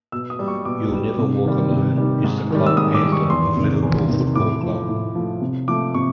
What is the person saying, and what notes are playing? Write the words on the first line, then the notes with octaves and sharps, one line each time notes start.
"You'll Never Walk Alone" is the club anthem of Liverpool Football Club.
B2 E6
D#6
G3
C#6
B2 D6
G3
C3
D#3 G3
C3
D#3 G3
G#2
D#3 G3
E6
G#2 D#6
D6
D#3 G3
C#6
E2 C6
C3 D#3
E2
C3 D#3
A2 D6
F3 A3
A2
F3 A3
C3
F3 A3 D6
C3 C#6